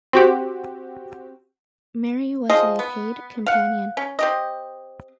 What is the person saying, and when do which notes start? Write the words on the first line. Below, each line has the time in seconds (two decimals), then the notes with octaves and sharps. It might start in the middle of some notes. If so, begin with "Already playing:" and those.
Mary was a paid companion.
0.13 C4 F#4 G4
2.50 F3 G#4 D#5
2.79 B3
3.46 F5 F#5
3.97 C#4
4.19 C4 G4 D#5